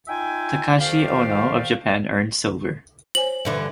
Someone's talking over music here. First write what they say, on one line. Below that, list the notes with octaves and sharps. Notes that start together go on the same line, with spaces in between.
Takashi Ono of Japan earned silver.
D#4 F4 E5 G5 G#5
F2 D#3 G4 D5 F5
C5 C#5 G#5 F#7
G2 D3 E3